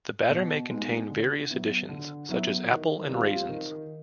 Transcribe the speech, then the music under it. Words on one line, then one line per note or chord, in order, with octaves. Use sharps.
The batter may contain various additions, such as apple and raisins.
B2
G#3 B3 D#4 G#4
D3
F#3 B3 E4
D3
F#3 B3 E4
D#3
G3 C4 F4
D#3